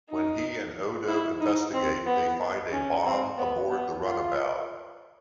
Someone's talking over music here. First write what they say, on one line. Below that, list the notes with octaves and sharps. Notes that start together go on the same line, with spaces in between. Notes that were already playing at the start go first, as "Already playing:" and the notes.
When he and Odo investigate, they find a bomb aboard the runabout.
D#4
E4
D#4
C4
B3
C#4
C4
B3
B3
F4